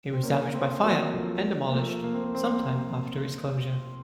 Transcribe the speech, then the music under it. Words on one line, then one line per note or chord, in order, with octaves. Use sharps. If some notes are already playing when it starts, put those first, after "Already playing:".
It was damaged by fire and demolished, some time after its closure.
C4
A#3 C#4
A3 C4
F#3 A#3
F3 A3
A#3
F3 A3
A#3
C4
A#3
C4
A#3